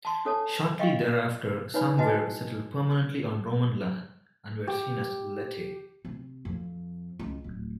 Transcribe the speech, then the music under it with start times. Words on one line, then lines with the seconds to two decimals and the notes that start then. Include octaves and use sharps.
Shortly thereafter, some were settled permanently on Roman land, and were seen as "Laeti".
0.05 A5 C6
0.25 D4 A4 C#5 A5
0.79 D#5 F5 G5 C#6
1.74 D#4 B4 C#5 D5 G#5 B5
1.98 E4 F#4 B4 D#5 G#5 A5
4.67 G4
6.05 C3
6.45 F2
7.19 C#2
7.44 D1